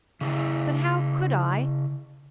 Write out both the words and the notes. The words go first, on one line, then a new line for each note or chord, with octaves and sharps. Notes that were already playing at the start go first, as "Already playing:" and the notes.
But how could I?
C#3 E4 G#4